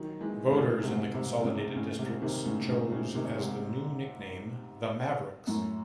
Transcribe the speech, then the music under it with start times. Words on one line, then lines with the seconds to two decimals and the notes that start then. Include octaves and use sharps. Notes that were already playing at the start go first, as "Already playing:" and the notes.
Voters in the consolidated districts chose as the new nickname the Mavericks.
Already playing: D#3 F#3
0.21 E3 G#3
0.51 A2 C#3
0.83 G#2 C3
1.14 G#2 C3
1.44 A2 C#3
1.76 A2 C#3
1.99 G#2 C3
2.22 C3 D#3
2.46 A2 C#3
2.69 A2 C#3
2.91 A2 C#3
3.15 C3 D#3
3.38 G#2 C3
5.47 F#2 A2